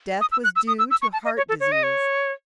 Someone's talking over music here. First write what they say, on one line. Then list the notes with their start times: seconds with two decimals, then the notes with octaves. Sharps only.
Death was due to heart disease.
0.21 D#6
0.32 E6
0.44 F#6
0.56 E6
0.68 D#6
0.79 E6
0.91 E6
1.02 C#6
1.13 A5
1.25 D#5
1.37 C#5
1.49 A4
1.60 C#5
1.72 D#5
1.83 C#5